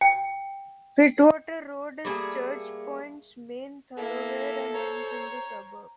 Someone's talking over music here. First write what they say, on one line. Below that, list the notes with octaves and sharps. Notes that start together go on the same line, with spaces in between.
Pittwater Road is Church Point's main thoroughfare and ends in the suburb.
G5
G3 A3 A#3 G#4
A#3 E4 A4
C5 C#5 A#5